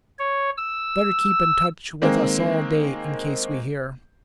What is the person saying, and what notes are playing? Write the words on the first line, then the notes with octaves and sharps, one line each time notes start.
Better keep in touch with us all day in case we hear.
C#5
E6
D#3 G#3 A#3 C4